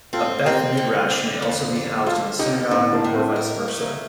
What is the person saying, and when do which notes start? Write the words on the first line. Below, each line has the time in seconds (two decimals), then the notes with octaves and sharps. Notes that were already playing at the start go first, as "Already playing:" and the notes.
A beth midrash may also be housed in a synagogue, or vice versa.
0.13 C4 F4 A4
0.46 C4 G4 A#4
0.77 D3
1.10 D3
1.42 F2
1.75 D3
2.06 D3 F4 A4
2.39 D3 D#4 G4
2.71 A2 C4 D#4
2.93 A#3 D4
3.04 A2
3.14 A3 C4
3.36 A#4
3.58 A#3
3.68 A3
3.80 A#3